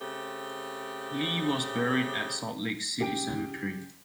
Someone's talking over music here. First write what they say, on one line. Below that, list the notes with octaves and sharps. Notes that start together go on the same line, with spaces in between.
Lee was buried at Salt Lake City Cemetery.
C#3 A3 C4 G4
C#3 G4 G5 D7